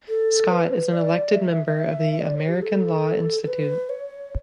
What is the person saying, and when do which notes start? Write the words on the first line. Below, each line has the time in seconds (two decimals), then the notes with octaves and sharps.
Scott is an elected member of the American Law Institute.
0.08 A4
0.50 B4
0.93 D5
1.35 E5
2.20 D5
2.34 C#5
2.48 G4
2.62 A4
3.42 A4
3.47 B4
3.89 C#5